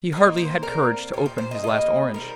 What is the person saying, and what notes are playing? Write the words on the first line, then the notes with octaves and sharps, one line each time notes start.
He hardly had courage to open his last orange.
A#2 A#3 D#5
C5
C3 G3 A#3 A#4
A#2 A#3 G4
C5
C5
D#5
C3 G3 A#3 D#5
D#3 G3 C4 A#4